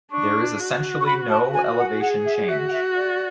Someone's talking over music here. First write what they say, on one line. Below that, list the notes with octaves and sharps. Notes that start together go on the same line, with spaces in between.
There is essentially no elevation change.
D4 C#6
F#4
C#6
B5
A5
F#4 G#5
F#5
G#4 F#5
E5
F#4 E5
F#5
E5
D5